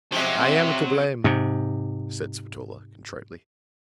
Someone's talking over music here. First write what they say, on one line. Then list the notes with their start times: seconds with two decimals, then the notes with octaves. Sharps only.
"I am to blame," said Spatola, contritely.
0.12 F3 F#3 G#3 C4 G4 E5 F#5
1.24 G#2 C3